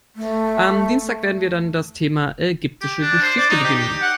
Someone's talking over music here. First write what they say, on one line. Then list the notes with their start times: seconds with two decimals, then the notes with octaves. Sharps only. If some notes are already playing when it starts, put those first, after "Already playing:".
Am Dienstag werden wir dann das Thema ägyptische Geschichte beginnen.
0.16 A3
2.82 G4
3.02 D4
3.22 C5
3.38 D5
3.49 D#4
3.64 G4
3.78 G4
4.02 F#5